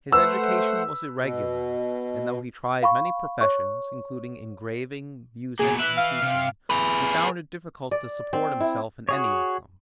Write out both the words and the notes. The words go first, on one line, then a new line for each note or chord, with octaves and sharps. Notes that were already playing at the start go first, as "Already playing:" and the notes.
His education was irregular, and though he tried many professions--including engraving, music, and teaching--he found it difficult to support himself in any of them.
A3 B4 C5 F#5 E6
B2
F5 B5 C#6
C#5 C#6
B2 A#3 G#4
B4 E5 F#6
F5
C3
G#4 B4
D5
C4
E4
F#4 G#4 C#5